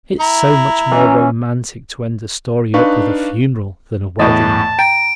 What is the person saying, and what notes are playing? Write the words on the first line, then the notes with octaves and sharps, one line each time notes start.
It's so much more romantic to end a story up with a funeral than a wedding.
E4 A#5
E3 C#4
D4 D#4 B4 F5 C#6
E2 A2 D#5 A5 D#6
G5 A#5 D7